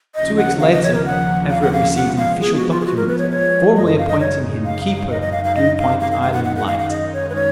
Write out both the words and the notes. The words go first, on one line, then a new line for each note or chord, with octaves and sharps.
Two weeks later Everett received an official document formally appointing him keeper of Blue Point Island light.
D#2 C#3 F3 A#3 C#4 D#5
F#5
F5
D#5
C#5
A#4
F#5
F5
F#5
F5
F3 G#3 B3 F#5
F5
G#4
F#4
F4
G#4
F#4
A#4
B4
C#5
C#5
F#2 C#3 G#3 D#4 D#5
D#5
F5
D#5
C#5
F5
F5
D#5
D#5
F5
F5
F#2 D#3 G#3 D#4 D#5
F5
F5
F5
F5
F#5
F#5
F#5
F5
F5
D#5
C#5
B4
C#5